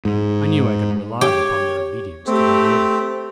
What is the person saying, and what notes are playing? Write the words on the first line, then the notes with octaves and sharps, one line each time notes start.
I knew I could rely upon their obedience to that order.
G#2
G4 C#5
A3 C4 G4